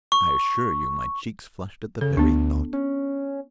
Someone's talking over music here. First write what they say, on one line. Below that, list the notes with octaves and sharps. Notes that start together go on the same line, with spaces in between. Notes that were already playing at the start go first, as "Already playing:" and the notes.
I assure you my cheeks flushed at the very thought.
C#6
C#3 A4
D2 B3 D4
C#4